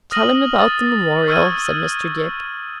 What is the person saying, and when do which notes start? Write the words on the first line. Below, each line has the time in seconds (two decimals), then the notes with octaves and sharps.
'Tell him about the Memorial,' said Mr. Dick.
0.11 D#6 F6 A#6 D#7 F#7
0.59 D#6 A6 F#7
1.28 C#6 E6 F6 G6 G#6 D#7